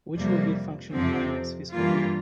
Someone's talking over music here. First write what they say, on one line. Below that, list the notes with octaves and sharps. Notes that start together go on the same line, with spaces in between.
Which will be functional by next fiscal year.
F2 C3 G3 A#3
F2 C3 F3 C4
G2 E3 A#3 F4